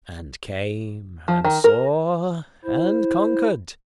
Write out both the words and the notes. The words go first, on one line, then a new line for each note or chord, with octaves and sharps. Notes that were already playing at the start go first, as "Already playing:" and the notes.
And came, and saw, and conquered.
F3
D#3
A#4
E4 C5